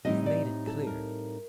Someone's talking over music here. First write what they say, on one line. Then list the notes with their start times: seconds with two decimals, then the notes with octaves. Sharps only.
You've made it clear.
0.05 A2 G3 C4 D#4 D#5
0.26 D5
0.67 A4
0.87 A#4